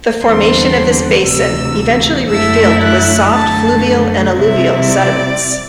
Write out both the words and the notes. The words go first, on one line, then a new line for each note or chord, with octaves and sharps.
The formation of this basin eventually refilled with soft fluvial and alluvial sediments.
E2 D3 G3 C4 C6
D2 C3 E3 E6
F#2 D3 A3 E4 E6
F#6
F#2 D3 A3 A5
C3 G3 C4 E4 E5
D5